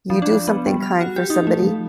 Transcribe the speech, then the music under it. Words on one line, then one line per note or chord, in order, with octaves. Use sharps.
you do something kind for somebody
F3
D4
B3
G3
F6
F#4
G4
D#4
A3
F3